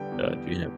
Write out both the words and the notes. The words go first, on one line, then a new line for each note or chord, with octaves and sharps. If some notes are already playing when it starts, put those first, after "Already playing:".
Uh, do you have
Already playing: E2 D3 G3 B3 G5
E2